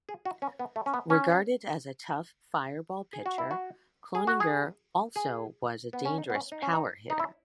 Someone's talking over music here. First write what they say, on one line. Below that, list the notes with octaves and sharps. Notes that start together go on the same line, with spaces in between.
Regarded as a tough fireball pitcher, Cloninger also was a dangerous power hitter.
G#4
F#4
C#4
B3
A3
C#4
B3
C#4
G#4
F#4
E4
F#4
G#4
F#4
G#4
G#4
B3
C#4
D#4
B3
C#4
D#4
C#4
D#4
D#4
E4